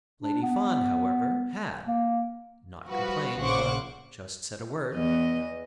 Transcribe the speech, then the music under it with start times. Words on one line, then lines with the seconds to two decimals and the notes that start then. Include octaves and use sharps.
Lady Fawn, however, had--not complained, but just said a word.
0.23 D4
0.42 B3
1.87 A#3
2.87 F3 G3 F#4 B4
3.40 A#1 C#3 C5 F#5 C#6 D6
4.94 E2 D#5